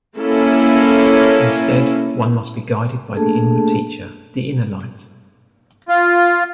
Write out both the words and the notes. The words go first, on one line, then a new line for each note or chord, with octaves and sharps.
Instead one must be guided by the Inward Teacher, the Inner Light.
A#3 C#4 E4 A4
A3 A#3 D4 G#4 A4 A5
F4